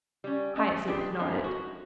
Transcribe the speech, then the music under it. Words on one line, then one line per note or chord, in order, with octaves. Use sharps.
Hyacinth nodded.
G3 C#4
A3 C#4 D#5
C4 D4 F4 G4 G#4 B4
G#3 B3 C#4 D#4 C5 E5
F#4